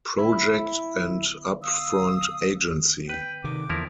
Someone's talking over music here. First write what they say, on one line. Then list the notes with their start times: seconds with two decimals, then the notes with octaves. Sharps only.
Project and Up-Front Agency.
0.18 E4
1.62 F5 D#6 E6
3.09 B4 G5
3.44 C3 D#3 D6
3.70 E2 D3 F3 E4 A#4